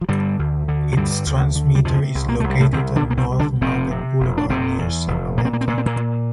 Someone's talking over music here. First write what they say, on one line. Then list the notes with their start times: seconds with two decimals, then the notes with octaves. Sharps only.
Its transmitter is located on North Market Boulevard near Sacramento.
0.01 F3
0.09 G2 D3 G3
0.39 D2
0.68 D3
0.92 F3
0.97 G2 D3 G3
1.26 D2
1.56 D3
1.75 G3
1.85 F2 C3 F3
2.15 C2
2.29 A#3
2.40 C2 A3
2.50 G3
2.60 A2 A3
2.73 C2 C3 C4
2.96 D3 D4
3.02 C2
3.10 A#3
3.18 C3 C4
3.31 C2
3.39 D3 D4
3.61 F1 C3 C4
3.91 C3
4.20 F1
4.38 D4
4.49 F1 C3 C4
4.79 E2
5.08 F1
5.38 A#2 A#3
5.45 C4
5.53 A#3
5.61 C4
5.67 A#2 A#3
5.78 C4
5.86 A#2 A#3
5.96 A#2